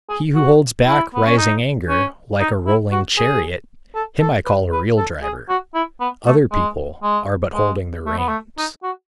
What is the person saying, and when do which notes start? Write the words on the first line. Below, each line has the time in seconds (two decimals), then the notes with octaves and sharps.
He who holds back rising anger like a rolling chariot, him I call a real driver; other people are but holding the reins.
0.09 G#4
0.35 F#4
0.86 E4
1.14 B3
1.26 C#4
1.38 D#4
1.89 C#4
2.40 D#4
2.66 E4
2.92 F#4
3.18 G#4
3.95 A4
4.20 A4
4.46 B4
4.72 B4
4.97 A4
5.23 G#4
5.49 F#4
5.75 E4
6.00 B3
6.26 A3
6.52 G#3
7.03 G#3
7.54 G#3
8.06 A3
8.17 B3
8.28 A3
8.58 D#4
8.83 F#4